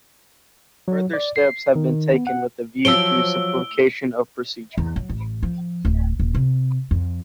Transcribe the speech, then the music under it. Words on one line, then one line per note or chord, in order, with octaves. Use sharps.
Further steps have been taken with a view to simplification of procedure.
F#3
D5
C7
D#3
B3
F#5
F3 F#3 C#5 E6 D7 G7
E2
F#3
A1
F3
D1
D#1
C3
F2